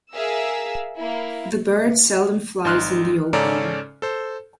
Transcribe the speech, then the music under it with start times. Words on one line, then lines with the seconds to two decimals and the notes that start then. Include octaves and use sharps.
The bird seldom flies in the open.
0.14 G#4 A#4 E5 F5 E6
0.97 A#3 E4
2.65 G#1 D#4 C6 F6 F#6
3.33 G#2 C#3 C#4 A4 D5 A#5
4.02 A4 C5